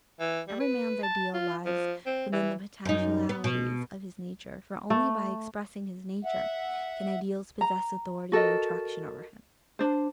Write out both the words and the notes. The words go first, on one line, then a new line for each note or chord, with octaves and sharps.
Every man's ideal lies within the potentialities of his nature, for only by expressing his nature can ideals possess authority or attraction over him.
E3
G3
B4
A5
F4
F3
C4
E3
F#2 D#4
B3
B2
A3
E5 F#5
A#5
F#4 A4 A#4 D#5
D4 C5